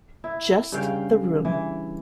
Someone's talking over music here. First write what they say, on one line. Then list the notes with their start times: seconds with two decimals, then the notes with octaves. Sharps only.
Just the room.
0.24 E4
0.72 G2 C#3 F5 G5
1.45 E3